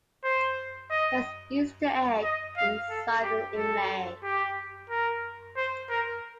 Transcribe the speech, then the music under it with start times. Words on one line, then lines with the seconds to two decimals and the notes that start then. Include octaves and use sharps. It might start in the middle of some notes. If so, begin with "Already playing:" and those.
There is an easter egg inside the inlay.
0.24 C5
0.90 D#5
2.23 D#5
2.57 F5
2.90 A4
3.23 G4
3.56 A4
4.23 G4
4.90 A#4
5.57 C5
5.89 A#4